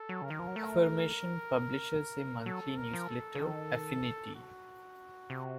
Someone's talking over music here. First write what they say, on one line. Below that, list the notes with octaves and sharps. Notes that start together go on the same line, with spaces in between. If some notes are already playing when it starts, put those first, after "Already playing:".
Affirmation publishes a monthly newsletter, "Affinity".
Already playing: A4
F#3
C#3 A#4
D#3
F3
F#3
A3
F#3 A4
A#4
F3
A4
C#3
D#3 A4
F#4
C3